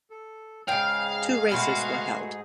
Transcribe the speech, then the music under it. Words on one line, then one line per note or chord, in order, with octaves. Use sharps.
Two races were held.
A4
G#2 C#3 D#4 G#4 F5 G5
B2 A3 F#4 C6